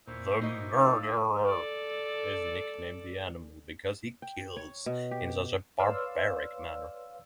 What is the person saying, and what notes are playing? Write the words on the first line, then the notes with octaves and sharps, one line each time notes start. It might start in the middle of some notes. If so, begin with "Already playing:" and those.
The murderer is nicknamed The Animal because he kills in such a barbaric manner.
A#2 E4 C5 C#6
D#4 F#4 D#5
A4 F5
A4 D5
G5
C#5
B2
G4
B4 C#5 D5 F5 C6 E6